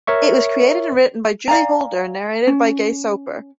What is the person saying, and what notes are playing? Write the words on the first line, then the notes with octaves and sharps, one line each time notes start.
It was created and written by Julie Holder and narrated by Gay Soper.
A#4 C#5 E5 C#6
D5 F5 G#5 A#5
C#4